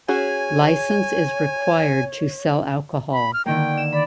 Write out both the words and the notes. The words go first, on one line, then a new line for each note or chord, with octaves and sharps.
Licence is required to sell alcohol.
C#4 F#4 G#4 C#5 G#5
B5
F6
D3 D#3 A#3 G5
E7
D5 B5